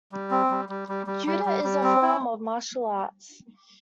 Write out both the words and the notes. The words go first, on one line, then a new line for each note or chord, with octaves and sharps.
Judo is a form of martial arts.
G3
C4
G3
G3
G3
G3
G3
G3
G3
C4
E4